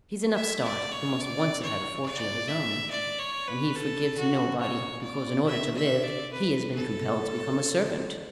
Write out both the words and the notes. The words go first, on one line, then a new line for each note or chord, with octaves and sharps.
He's an upstart who must once have had a fortune of his own; and he forgives nobody because, in order to live, he has been compelled to become a servant.
E5
D5
C#5
D5
C#5
D5
E5
D5
C#5
B4
A4
F#4
C#5
D5
E5
E5
D5
B4
A4